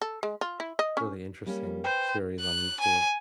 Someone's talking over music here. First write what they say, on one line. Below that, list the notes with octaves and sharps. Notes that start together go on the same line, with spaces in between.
really interesting series on YouTube,
A4
G#3
F4
E4
D#5
C#4
G3 A#3 C#4
B4 C5 G5
F#6
G#5